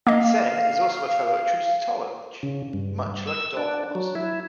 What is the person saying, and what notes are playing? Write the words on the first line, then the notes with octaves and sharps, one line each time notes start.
Sen is also a fellow at Trinity College, much like Dobb was.
A#3 D#5 F5
C#3
G2
E6
D4
F#3
E4